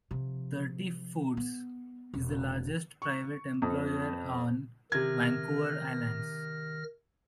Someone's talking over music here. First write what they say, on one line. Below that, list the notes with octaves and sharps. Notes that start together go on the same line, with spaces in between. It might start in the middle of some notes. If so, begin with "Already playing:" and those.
Thrifty Foods is the largest private employer on Vancouver Island.
C3 F3
B3
E1
C#6
F2
C3 D#3 F6 G#6 A#6